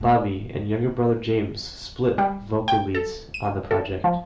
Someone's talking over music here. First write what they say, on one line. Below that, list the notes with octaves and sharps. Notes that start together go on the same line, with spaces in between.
Bobby and younger brother James split vocal leads on the project.
A3 C4
G3
G5
A4
D#7
A4
F3